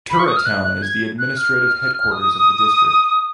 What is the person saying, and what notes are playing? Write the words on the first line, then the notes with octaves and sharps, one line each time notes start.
Tura town is the administrative headquarters of the district.
B5
C#6
D#6
F6
F#6
F#6
G#6
F#6
F6
D#6